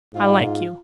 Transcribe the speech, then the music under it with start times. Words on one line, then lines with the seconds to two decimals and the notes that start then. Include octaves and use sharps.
I like you.
0.15 G#2 F4